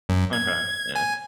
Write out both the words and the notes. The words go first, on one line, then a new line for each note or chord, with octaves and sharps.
Okay. Yeah.
F#2
G#6
G#5